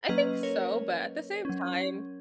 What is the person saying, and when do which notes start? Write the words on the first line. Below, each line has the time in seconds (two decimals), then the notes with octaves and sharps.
I think so, but at the same time,
0.09 F#3 A#3 C#4 B4 D#5
0.43 A#4 C#5
1.45 F#3 C#4